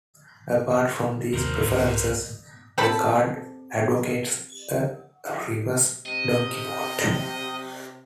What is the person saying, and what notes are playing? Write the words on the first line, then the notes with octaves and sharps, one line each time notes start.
Apart from these preferences, the card advocates a reverse Donkey Vote.
D#2 C3 D#3 A#4 C5
C2 G#2
C4 A4 A5 B5
C3 D#5